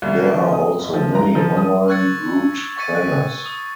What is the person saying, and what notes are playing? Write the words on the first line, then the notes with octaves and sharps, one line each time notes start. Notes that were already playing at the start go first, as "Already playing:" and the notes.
There are also many online route planners.
C2
F3
D#6
F#1
F3
A#5
F3
D#6
C#6 E6 F#6 G#6 A6 C#7
C#6 A6 C#7 D#7
F#6
D#6